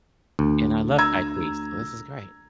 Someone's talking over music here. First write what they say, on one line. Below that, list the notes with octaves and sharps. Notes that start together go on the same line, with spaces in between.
And I love Tai Chi, so this is great.
D2
A#5 E6 G#6